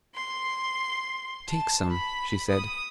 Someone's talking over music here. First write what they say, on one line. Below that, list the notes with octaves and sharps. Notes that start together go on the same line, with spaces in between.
"Take some," she said.
C6
A5
B5
D#6